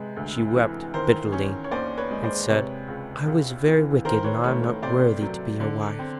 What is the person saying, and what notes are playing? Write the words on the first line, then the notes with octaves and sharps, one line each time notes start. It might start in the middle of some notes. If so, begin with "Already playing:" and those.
She wept bitterly, and said: 'I was very wicked, and I am not worthy to be your wife.'
Already playing: C3 G#3 B4
D2
E3
D#3 A#4 C5
C#4
C#5
D#2 C5 D5
B4 C#5
G#3
C5 D5
C3 B4 C#5
C#2
C#2
E3
D#3 A#4 C5
B4 C#5
A3 B4 C#5
B4 C#5
C3 C5 D5
F#3
D3
C4